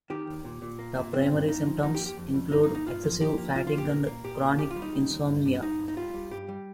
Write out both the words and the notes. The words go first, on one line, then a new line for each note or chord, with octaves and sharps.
The primary symptoms include excessive fatigue and chronic insomnia.
D#3 G4
D#2
A#2
A#2
A#3
A#2
G2 C4
G2
A#3 D#4
F3
F3 D#4
G4
A#3
G4
F2
F2
G2 D#4
D#4
A#3
D#4
G2 F4
F3
F3 G4
A#3
F3 F4
F4
A#3
G4
A#2 A#4
A#3
A#2 G4
A#3
D#2 G4
F4
G3
D#4
G3
D#2
G2
G2
G2 D#4
G2
D#4
G3 F4
G3
G2 G4
G3